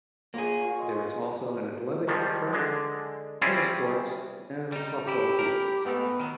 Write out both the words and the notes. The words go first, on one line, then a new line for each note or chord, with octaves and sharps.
There is also an athletic track, tennis courts, and softball fields.
A#3 F4 G#4 C#5 G#5
F4 C#6
G#3
D#3 F3 G3 G#3
D3 G#3
G3 C4 C#4 E4 F4 G#4
G3 D#4
C#3 E4 G4
E4 A#4
G#2 A3 B3 D#4
D#3 E3 F#3